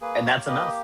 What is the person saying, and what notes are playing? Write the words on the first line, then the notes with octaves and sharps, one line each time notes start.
And that's enough.
A#3 G#4 B4
A#4 C#5
G4
B4 D#5